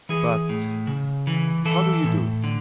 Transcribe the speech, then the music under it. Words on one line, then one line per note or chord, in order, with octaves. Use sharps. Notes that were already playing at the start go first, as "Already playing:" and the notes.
But how do you do?
E3 G#4
A2
C#3
E3
E3 A4
A2
D3